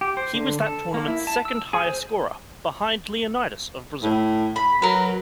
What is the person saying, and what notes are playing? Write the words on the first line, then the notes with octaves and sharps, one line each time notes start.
He was that tournament's second-highest scorer, behind Leonidas of Brazil.
G4
C5
D3
A4
A#3
E4
A5
E6
G#4
C5
A2
B5
F#3 A#4 B4